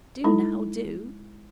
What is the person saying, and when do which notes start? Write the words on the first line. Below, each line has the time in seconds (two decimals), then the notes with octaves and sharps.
Do now, do.'
0.24 G#3 D#4 E4 A4